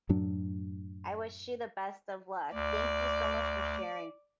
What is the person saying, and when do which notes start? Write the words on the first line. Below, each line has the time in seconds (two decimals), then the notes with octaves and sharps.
I wish you the best of luck. Thank you so much for sharing,
0.09 F#2 A2 F#3 D4
2.54 D2 D5